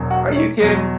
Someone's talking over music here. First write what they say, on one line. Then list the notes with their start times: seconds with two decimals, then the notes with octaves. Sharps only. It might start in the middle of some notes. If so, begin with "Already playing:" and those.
Are you kidding?
Already playing: E1 E2 B2 F#3
0.10 F#4 F#5
0.36 C#5
0.60 E2 B2 F#3